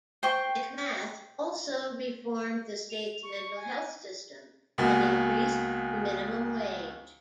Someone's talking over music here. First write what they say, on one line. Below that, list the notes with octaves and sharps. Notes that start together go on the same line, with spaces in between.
McMath also reformed the state's mental health system and increased the minimum wage.
C5 G5 C#6
F7
C#6
G#5
C#2 A#3 B3 F#4 G#5 A6